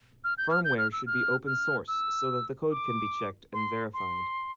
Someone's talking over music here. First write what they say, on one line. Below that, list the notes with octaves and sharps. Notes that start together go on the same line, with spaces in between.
Firmware should be open-source so that the code can be checked and verified.
F6
G6
F6
G6
F6
E6
F6
F6
E6
D6
C6
C6